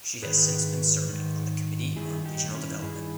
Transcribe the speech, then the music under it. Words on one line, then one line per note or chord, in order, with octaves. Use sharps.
She has since been serving on the Committee on Regional Development.
G#2 D#3 G#4 B4
G#2 D#3
G2 D#3 E4 G#4
D#4 G4
C#4 E4
G2 D#3 E4 G#4